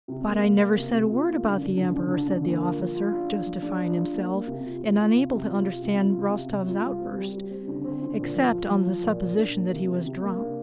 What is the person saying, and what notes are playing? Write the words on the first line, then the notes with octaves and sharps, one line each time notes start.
"But I never said a word about the Emperor!" said the officer, justifying himself, and unable to understand Rostov's outburst, except on the supposition that he was drunk.
C3
A#3
A#3
A#3
C3
C3
F4
A#3
D3
D3
D3
D3
D3
D3
A#3
F4
F3
F4
D4
F4
F3
D4
F4
D4
A#3
A#3
C3
F4
F4
F4
C3
C3
F4
F4
C3
F4
C3
C3
C3
F4
G3
C4
G3
G3
C4
D3
C4
D3
A#2
F3
F4
F3
F3
A#2
A#2
D4
A#3
C3
C3
C3
A#3
D4